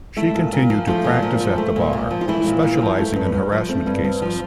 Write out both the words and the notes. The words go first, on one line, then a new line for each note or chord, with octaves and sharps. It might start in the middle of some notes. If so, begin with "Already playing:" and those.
She continued to practice at the Bar, specialising in harassment cases.
A3 E4 E5
A#2
A#2
F3
F3 A3 F4
A#2
A#2
F3
A3
A#2
A#2
F3
F4
E3 A3 E4
A#2
A#2
F3
A3
G2
G2
F3
A3 C4
G2
G2
F3